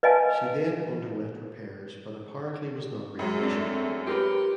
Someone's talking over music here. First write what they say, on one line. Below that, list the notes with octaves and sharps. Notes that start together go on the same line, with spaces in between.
She then underwent repairs but apparently was not recommissioned.
B4 D#5 F5 G#5 A5
F#2 F#3 G#3
C4 D4
A3
F4 G4 A#4 B4